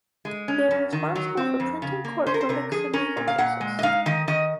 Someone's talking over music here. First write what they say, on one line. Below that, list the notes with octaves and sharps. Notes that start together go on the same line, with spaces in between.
They are responsible for printing court verdicts and legal cases.
G#3
C#4
F#2
D#3
F#3
C4
F2
C#3
A#3
C#4 C5
A#4
C5
C3 A#4
F3 G#4
C#4 A#4
A#2
F5
A#2 F#5
G#3
D#5
D#4 F5
D#3 D#5
D#3 D#5